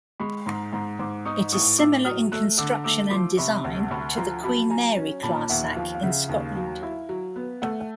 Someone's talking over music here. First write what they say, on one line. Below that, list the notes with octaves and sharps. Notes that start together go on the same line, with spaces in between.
It is similar in construction and design to the Queen Mary Clarsach in Scotland.
G#3 B5 C#6
G#2 A#5 C6
G#2 A#5 C6
G#2 C6 D6
D#4 C#6 D#6
A2 C#6 D#6
A2 D6 E6
F#3 D#6 F6
A3 E6 F#6
D3 D6 E6
A3 D6 E6
F3 C6 D6
C3 B5 C#6
D2
D2 B5 C#6
F3 A#5 C6
F#3 A5 B5
F#3 G#5 A#5
C#4
A#2 A5 B5
D#2 E5 F#5
F3 F5
F5
C#3 E5 F#5
D#2 F5
F#3 F5
E4 F5
F#3
B3
A3 E5 F#5